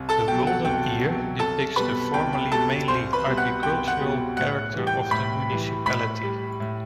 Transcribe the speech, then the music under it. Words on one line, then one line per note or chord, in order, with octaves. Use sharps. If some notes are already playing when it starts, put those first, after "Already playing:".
The golden ear depicts the formerly mainly agricultural character of the municipality.
Already playing: C2
A4 A5
B2 F#3 G5
F#5
C2 G5
B2 F#3
C2 A4 A5
B2 G3 B4 B5
C2 G5
G5
B2 G3 A4 A5
C2 C5 C6
B4 B5
B2 G3
F#5 F#6
C2 G5 G6
F#5 F#6
B2 G3
A2 F#5 F#6
E3 G3
G5 G6
A2 B5 B6
E3 G3
A2 B5 B6
G3
A2